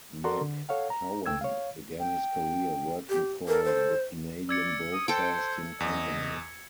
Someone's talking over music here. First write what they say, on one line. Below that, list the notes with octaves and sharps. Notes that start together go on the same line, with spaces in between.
McCowan began his career working for the Canadian Broadcasting Company.
F#4 A4 A#4 D5 A#5 C6
D3
A4 C#5 F5 F#5
A#5
C#2 A3 G5 E6 G#6
C#5 F5
G5
G4
A4 A#4
C5
D5 E6 G#6 C#7
D#6
A4 C5 G5
E2 D#5